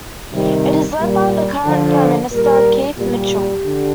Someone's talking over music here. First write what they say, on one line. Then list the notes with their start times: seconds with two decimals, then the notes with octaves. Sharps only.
It is led by the current Prime Minister, Keith Mitchell.
0.33 C3 D#3 G3
1.00 A#2 G3
1.65 D3 F3
2.32 A#2 G3 A#4
2.98 A#2 G3 G4
3.64 D3